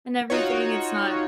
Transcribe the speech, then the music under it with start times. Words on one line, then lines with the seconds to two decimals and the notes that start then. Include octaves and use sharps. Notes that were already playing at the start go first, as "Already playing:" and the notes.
and everything, it's not,
0.30 D#4 F4 F#4 C#5